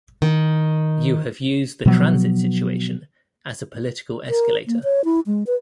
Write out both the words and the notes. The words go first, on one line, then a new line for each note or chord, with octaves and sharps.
You have used the transit situation as a political escalator.
D#3
B2 F3 F#3 B3
A#4
A#3
C#5
E4
G#3
B4